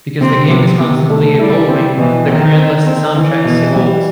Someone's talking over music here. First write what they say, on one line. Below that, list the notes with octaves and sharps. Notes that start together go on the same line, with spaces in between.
Because the game is constantly evolving, the current list of soundtracks evolves.
C3 C4
C3 B3
C3
A3
G3 E4
C4
B2 E3
D#3 C4
C4
C4
E3 E4
B2
G3